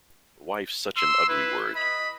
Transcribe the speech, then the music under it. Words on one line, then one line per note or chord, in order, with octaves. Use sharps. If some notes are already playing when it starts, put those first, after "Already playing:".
Wife's such an ugly word.
C6 E6
E4 B4
D#5 B5